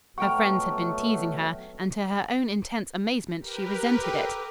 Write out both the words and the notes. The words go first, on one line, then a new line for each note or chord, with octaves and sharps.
Her friends had been teasing her; and, to her own intense amazement, she resented it.
B2 F#3 A3 F#5 G5 A#5 C#6 F6
G4 A#4 B4
A4 G5 D6